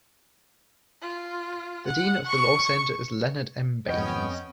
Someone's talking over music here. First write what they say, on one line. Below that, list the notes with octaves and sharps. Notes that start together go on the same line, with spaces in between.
The dean of the Law Center is Leonard M. Baynes.
F4
F#5
C#6
F2 B3 C#4 D#5 G5